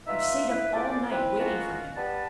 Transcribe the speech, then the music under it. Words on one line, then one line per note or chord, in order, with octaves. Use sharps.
I've sate up all night waiting for him.
D#4 F4 B4 E5
E4 B4
F4 G#4 A4 C5 D5
C4 E4 B4
G#3 A#3 C#4 F4 F#4
G3 B3 B4 A5